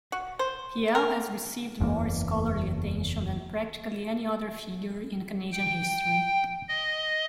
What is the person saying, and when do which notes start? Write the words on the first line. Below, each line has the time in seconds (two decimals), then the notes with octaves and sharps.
Riel has received more scholarly attention than practically any other figure in Canadian history.
0.12 F#4
0.39 C5
0.95 A#4
1.80 F#1 E2 G2 A#3
5.52 G5
6.68 D#5